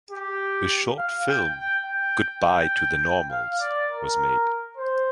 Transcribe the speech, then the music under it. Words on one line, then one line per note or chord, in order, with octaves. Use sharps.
A short film, "Goodbye to the Normals" was made.
G4
F5
G5
G5
G5
G5
F5
D5
A#4
C5